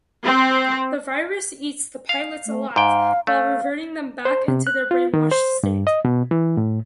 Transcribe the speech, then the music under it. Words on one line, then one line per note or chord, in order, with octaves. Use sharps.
The virus eats the Pilots alive while reverting them back into their brainwashed state.
C4
F5
A3
G#2 F5 G5
A3 F5
C5
C3
F#6
F4
D#3
C5
G2
D#5
B2
E3
A2